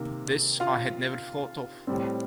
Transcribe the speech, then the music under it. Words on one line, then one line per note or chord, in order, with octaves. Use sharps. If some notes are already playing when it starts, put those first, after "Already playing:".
This I had never thought of.
Already playing: C3 D#3 A#3
F4 F5
A2 G3 C4